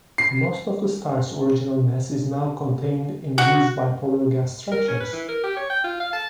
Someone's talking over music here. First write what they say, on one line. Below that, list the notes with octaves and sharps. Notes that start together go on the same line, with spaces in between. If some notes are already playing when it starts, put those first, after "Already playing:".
Most of the star's original mass is now contained in these bipolar gas structures.
C7
F#4
A#4
C#4
B4
E3
A#4
G4
C#5
G5
F4
F5
A5